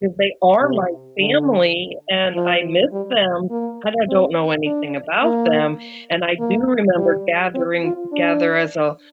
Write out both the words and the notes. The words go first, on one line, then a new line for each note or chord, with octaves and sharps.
'cause they are my family, and I miss them, and I don't know anything about them. And I do remember gathering together as a
C3
D3
F3
G3
A#3
C4
D4
A#3
A#3
G3
C4
F4
D4